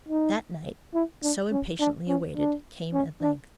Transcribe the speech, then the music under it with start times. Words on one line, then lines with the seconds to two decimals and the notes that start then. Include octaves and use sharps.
That night, so impatiently awaited, came at length.
0.09 D#4
0.94 E4
1.23 D4
1.51 C#4
1.80 D4
2.08 C#4
2.37 D4
2.93 C#4
3.22 D4